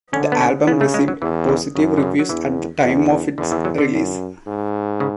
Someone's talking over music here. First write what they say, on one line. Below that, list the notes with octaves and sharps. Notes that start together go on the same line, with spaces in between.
The album received positive reviews at the time of its release.
D3 C#4
B3
C#4
C#3 B3
A3
G#3
F#3
E2 E3
D3
F#2 C#3
D3
C#3
F#3
E2 E3
E2
E2 D3
E3
F#3
D3
F#2
G#2
C#3